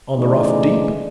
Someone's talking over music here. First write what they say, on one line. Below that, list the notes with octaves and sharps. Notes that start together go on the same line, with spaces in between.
'On the rough deep.
C#3 E3 A3 D#4 G#4 D5